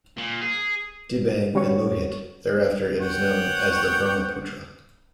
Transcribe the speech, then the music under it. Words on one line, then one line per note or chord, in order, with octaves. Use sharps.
"Dibang" and "Lohit"; thereafter, it is known as the "Brahmaputra".
A#2
G#4
G3 C#4 F#4 C#5 C#6
C#5 F#5 G5